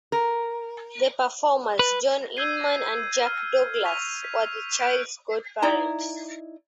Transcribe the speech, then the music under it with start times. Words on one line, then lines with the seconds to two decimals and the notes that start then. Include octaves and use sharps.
The performers John Inman and Jack Douglas were the child's godparents.
0.12 A#4
1.79 B4
2.37 E6 G6 G#6 C7 D#7
3.25 F6
3.85 C#6 B6 D#7 F7
4.24 B6
4.80 F#6 G6 B6 D7
5.62 D#4 E4 D5 A#5